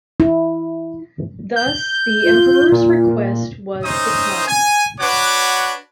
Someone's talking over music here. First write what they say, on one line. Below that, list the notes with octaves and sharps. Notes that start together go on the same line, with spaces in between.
Thus, the Emperor's request was declined.
E4
G6
F4
A#2
C#4 D#4 C5 E5 D#6
G#5
D4 F#4 B4 C#5 F#5 D6